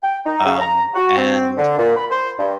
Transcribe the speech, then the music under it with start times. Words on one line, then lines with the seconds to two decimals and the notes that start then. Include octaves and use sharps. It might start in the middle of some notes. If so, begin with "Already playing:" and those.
um, and
0.03 G5
0.26 D#4
0.45 C#3
0.60 A#5
0.95 F#4
1.16 C4
1.57 D3
1.77 A#2
1.95 B5
2.10 C5
2.38 G2